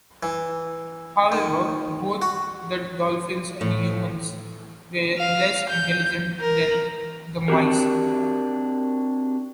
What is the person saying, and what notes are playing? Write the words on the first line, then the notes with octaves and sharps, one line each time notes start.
However, both the dolphins and humans were less intelligent than the mice.
E3
D#3
F#4
A2
F5
G6
A#4
C4 D4 F#4 G4 A#4